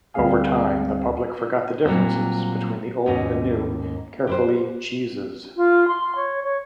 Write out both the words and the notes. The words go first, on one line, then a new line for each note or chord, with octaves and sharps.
Over time, the public forgot the difference between the old and new Caerphilly cheeses.
D2 G3 C4 G#4 F5 G#5
A#2 F#3 G3 C4
D#2 G#2 C#4 D#5
G4 B4 C5
F4
C6
C#5
C#5